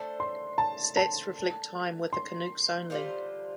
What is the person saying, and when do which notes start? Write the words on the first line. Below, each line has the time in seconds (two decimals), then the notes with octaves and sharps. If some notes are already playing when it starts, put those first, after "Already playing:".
Stats reflect time with the Canucks only.
Already playing: A3 D4 A4 C5
0.20 C6
0.58 A5
0.97 A5
2.13 C6
2.90 D3 G3 F4 C5